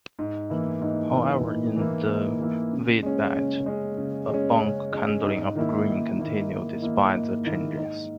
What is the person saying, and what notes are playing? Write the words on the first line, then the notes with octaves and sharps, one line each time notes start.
However, in the wheatbelt, bulk handling of grain continued despite the changes.
G#2
E3 A#3 E4
G#2
E3 A#3 E4
G#2
E3 A#3 E4
G#2
E3 A#3 E4
C#3
G#3 C#4
C#3
G#3 C#4
C#3
G#3 C#4
C#3
G#3 C#4
G#2
D#3 A#3 E4
G#2
D#3 A#3 E4
G#2
D#3 A#3 E4
G#2
D#3 A#3 E4
G#2